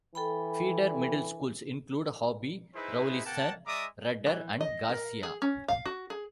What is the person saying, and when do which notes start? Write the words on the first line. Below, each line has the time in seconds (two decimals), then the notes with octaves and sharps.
Feeder middle schools include: Hobby, Rawlinson, Rudder, and Garcia.
0.15 E3 A4 G5 B5
2.75 D#4 E4 G#4 B4 C5 E5
3.25 A#3 F#5 G5 A5
3.67 G#3 D5 E5 A#5 D6 D#6
4.27 E3
4.61 D#5
4.90 A#4
5.23 G#4
5.42 C#4
5.68 F5
5.86 F#4
6.10 G#4